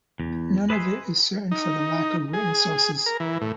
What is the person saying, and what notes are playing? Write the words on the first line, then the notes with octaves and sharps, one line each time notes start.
None of it is certain for the lack of written sources.
E2
B4 D#5 E5 G#5 B5 C6
D#4
G#4
A#4
E3
A2